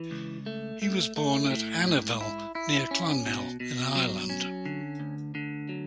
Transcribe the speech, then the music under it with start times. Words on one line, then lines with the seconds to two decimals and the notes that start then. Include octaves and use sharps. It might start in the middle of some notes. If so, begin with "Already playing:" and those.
He was born at Annerville, near Clonmel in Ireland.
Already playing: E3
0.11 C#2
0.46 A3
0.82 A3
1.16 A3
1.51 A2
1.87 G#2
2.21 E4
2.55 E4
2.91 C#4
3.26 B2
3.60 B2
3.95 F#3
4.30 C#4
4.66 D3
5.00 D2
5.35 D3
5.69 F#3